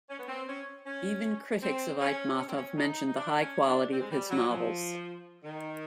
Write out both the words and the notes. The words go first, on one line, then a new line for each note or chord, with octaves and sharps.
Even critics of Aitmatov mentioned the high quality of his novels.
C#4
B3
C4
C#4
C#4
C4
C#4
C#4
C4
C#4
D#4
D#4
D4
C#4
D4
C4
G#3
G3
F#3
F3
D#3